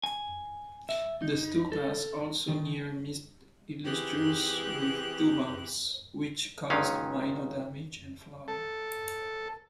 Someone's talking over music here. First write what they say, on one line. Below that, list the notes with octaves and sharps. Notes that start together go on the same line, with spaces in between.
The Stukas also near-missed "Illustrious" with two bombs, which caused minor damage and flooding.
G#5
E5
D#4
A4
D#3
E3 C4 G4 G#4 B4 F#6
C#2 A#2 D#3 F#3 C#4 F5
A4